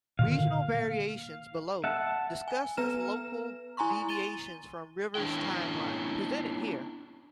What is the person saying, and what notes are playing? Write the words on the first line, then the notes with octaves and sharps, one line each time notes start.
"Regional variations" below discusses local deviations from Rivers' timeline, presented here.
A#2 D3 D#3 F5
A#3
E5 F#5 A5
G#5
B3 B4 A#5 F6 E7
E4 G#5 A#5 C6 C#6
A6 D#7 G7
C#4 D4 E4 G5